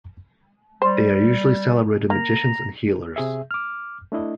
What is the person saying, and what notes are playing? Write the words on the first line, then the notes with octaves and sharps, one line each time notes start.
They are usually celebrated magicians and healers.
G3 C5
A#3 A#5
C3 G#4 E5
D6 F6
A3 D4 E4 D#5